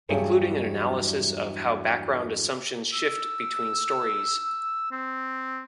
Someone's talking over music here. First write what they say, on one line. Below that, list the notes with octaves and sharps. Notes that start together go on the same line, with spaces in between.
Including an analysis of how background assumptions shift between stories.
E2 G2 F#3 G3 G#4 E5
E6
C4